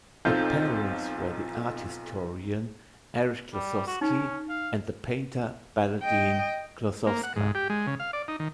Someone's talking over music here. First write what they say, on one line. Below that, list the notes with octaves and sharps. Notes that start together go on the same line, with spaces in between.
Their parents were the art historian Erich Klossowski and the painter Baladine Klossowska.
B1 C4 D#4 F4 A4 G6
G3
F#4
C#4 D#4
F5
D#5 G5
A#3
F#5
G#2
G4
G#3
C#3
F5
D5
D#4
D#3